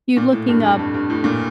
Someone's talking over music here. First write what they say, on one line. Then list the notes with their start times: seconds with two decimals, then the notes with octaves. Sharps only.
you're looking up
0.17 A#2
0.33 A2
0.48 G2
0.63 F2
0.79 G2
0.94 G2
1.10 A2
1.24 A#2